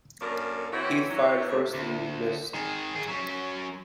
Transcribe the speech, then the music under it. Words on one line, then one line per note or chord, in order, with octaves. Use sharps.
Heath fired first and missed.
F#2 A#3 D4 A4 A#4
E3 C4 C#4 F#4 C#5 E5
F#3 C#4 E4
F2 A#2 E3 F3 A3 C#5
D2
D#3 G#4
G#2 G#4
F#3 C#4